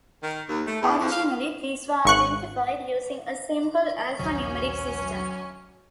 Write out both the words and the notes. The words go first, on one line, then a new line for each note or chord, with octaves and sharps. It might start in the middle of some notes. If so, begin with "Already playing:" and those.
Originally, these were identified using a simple alphanumeric system.
D#3
D#2
A3
E2
F2
F5
G#1 C#6 F#6
A#1 D#2 D#3 F#3 C#4 G#5